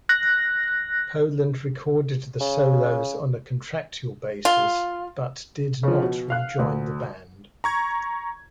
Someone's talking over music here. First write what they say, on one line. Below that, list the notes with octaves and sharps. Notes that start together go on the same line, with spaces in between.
Poland recorded the solos on a contractual basis, but did not re-join the band.
F#6 A#6
C#3
F4
C#3 F3
B2
F5 F#6
D2
A#5 C#6 G#6